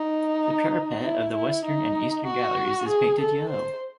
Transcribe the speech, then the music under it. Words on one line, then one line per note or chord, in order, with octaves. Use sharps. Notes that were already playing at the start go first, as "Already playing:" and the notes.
The parapet of the western and eastern galleries is painted yellow.
Already playing: D#4
E4
E4
D#4
F#4
G#4
A4
C5